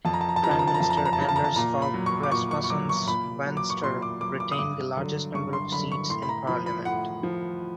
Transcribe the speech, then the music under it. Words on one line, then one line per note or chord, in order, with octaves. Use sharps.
Prime Minister Anders Fogh Rasmussen's Venstre retained the largest number of seats in parliament.
F2 A5
A#5
A5
A#5
A5
C#3 F3 A5 A#5
A#5
A5
A#5
F2 A5
A#5
A5
A#5
A5
C#3 F3 A#5
A5
A#5
A5
A#2 A#5
B5
F#3
C#6
D6
A#2 C#6
C#6
C#6
F#3 D6
C#6
A#2 B5
F#3
D6
C#6
A#2 C6
D6
F#3 D6
D6
D#6
G2 D6
D3 F#3
G2 C#6
C6
D3 F#3 B5
C#6
A2 C6
B5
A#5
F3 B5
B5
A2 F#5
F3